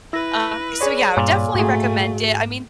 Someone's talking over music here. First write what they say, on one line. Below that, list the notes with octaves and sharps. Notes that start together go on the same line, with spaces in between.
Uh, so yeah, I would definitely recommend it. I mean,
E4 B4 E6 A#6
G#4 C#5 D5
G2 A#2
G#2 A3 F#4 G#4